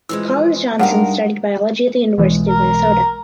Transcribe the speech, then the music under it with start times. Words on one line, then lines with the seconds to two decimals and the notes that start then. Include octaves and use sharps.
Collins Johnson studied biology at the University of Minnesota.
0.09 E3 F3 G#3 E6
0.79 G2 G#3 D#4 A#4 F5 F#5
2.18 B1 E3 G#3
2.48 A#4